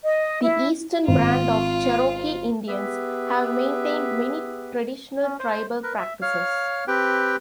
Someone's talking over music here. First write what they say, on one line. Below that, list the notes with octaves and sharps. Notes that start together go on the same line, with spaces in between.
The Eastern Band of Cherokee Indians have maintained many traditional tribal practices.
D#5
E4
G#1 F4
B3 G4 G#4 B4 E5
C#4
C5
A#4 B4
E5
C#5 F5 F6
C4 G4 B4 G5